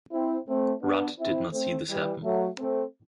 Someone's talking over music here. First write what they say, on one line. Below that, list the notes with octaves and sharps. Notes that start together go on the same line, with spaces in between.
Rudd did not see this happen.
C4 E4
A3 C4
B3 D4
C4 E4
A3 C4
E3 G3
F#3 A3
A3 C4